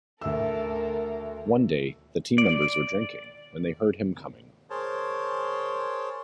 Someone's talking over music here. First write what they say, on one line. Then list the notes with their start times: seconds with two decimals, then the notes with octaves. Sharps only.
One day, the team members were drinking, when they heard him coming.
0.21 D2 A4 A#4 E5 E6
2.38 D5
4.70 G#4 A#4 C5 C#5 A5